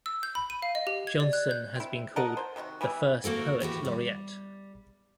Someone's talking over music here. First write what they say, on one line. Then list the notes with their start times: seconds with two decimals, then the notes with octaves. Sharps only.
Jonson has been called 'the first poet laureate'.
0.06 E6
0.23 G6
0.35 B5
0.50 D#7
0.62 F5
0.75 D#5
0.87 G4
1.07 G#6
1.20 D5
1.33 F#6
1.51 G6
1.76 C4 E4
2.16 A4 A#4 D#5 F#5
2.37 C5
2.56 C3 D#3 F4 F#4
2.81 E3 G3 B3 E4
3.24 A#3 F#4 A4 A#4
3.60 E2 A2 F#4 G4
3.85 G3